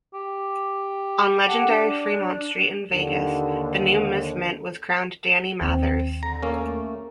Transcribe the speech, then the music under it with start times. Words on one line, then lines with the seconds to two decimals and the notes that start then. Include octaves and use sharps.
On legendary Freemont street in Vegas, the new Miss Mint was crowned Dani Mathers.
0.14 G4
1.47 A4 F#5 A5
1.66 D4
2.90 D#2 D3
5.61 D#2 C4
6.23 D3 A#5
6.43 A#2 A#3 C#4 A4
6.59 A3